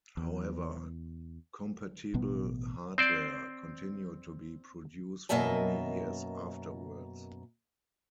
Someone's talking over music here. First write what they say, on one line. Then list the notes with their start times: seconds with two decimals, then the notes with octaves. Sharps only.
However, compatible hardware continued to be produced for many years afterwards.
0.17 E2
2.14 A1 B2 B3
2.98 C4 C5 D5
5.29 F#2 B2 A#3 D#5 E5 A5